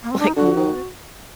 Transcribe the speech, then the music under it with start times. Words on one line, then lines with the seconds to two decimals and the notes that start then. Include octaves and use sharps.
Like, what?
0.03 A#3
0.11 C4
0.19 D4
0.28 D#4
0.36 D3 F#4
0.56 D#3